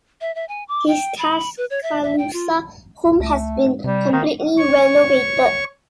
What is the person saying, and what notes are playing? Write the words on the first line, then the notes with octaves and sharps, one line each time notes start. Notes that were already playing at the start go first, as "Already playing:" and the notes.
His Tuscaloosa home has been completely renovated.
E5
E5
G#5
D6
G5
B5
B4
C#5
E5
E5
G5
F4
C#2 A3
G#2
C3 G3
D#3 A#3
C#5 C#6